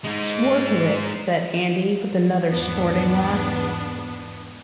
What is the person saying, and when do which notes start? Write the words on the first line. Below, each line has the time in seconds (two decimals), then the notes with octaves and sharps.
"Swore to it," said Andy with another snorting laugh.
0.04 G#3 D#4
2.48 E2 G#2 B2 B3 D4